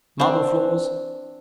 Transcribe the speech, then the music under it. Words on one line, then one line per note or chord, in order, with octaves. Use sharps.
Marble floors.
C4 D4